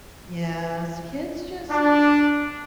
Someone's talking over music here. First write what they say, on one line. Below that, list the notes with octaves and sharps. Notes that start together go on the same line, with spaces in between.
Yes, kids just
D4